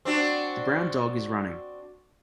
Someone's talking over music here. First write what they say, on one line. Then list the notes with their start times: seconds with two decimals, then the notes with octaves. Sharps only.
The brown dog is running.
0.05 C4 D4 F#4